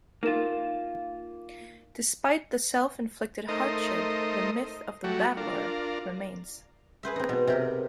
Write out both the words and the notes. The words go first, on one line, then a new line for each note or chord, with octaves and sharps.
Despite the self-inflicted hardship, the myth of the "battler" remains.
A#3 D#4 F4 A#4 E7
A3 D#4 A#4 C5 D#5
F#3 G3 A3 F#4
D4 F4 A#4
G#4 B4 C5 E5
C4 D#4
B2
C3 G4 A#4